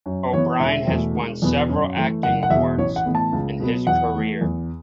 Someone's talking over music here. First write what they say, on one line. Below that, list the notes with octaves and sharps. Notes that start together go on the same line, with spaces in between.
O'Brien has won several acting awards in his career.
F#2
E3 B3 C#5
E1 E5
E2 B2 A3
E1
E2 B2 B3
F#2
E3 A3
F#1 F#5
F#5
E2 E5
B2
A1 C#5
F#5
A2 E3 B3
A5
C#2
B2 F#3 B3
E2 F#5
E3 A3
E2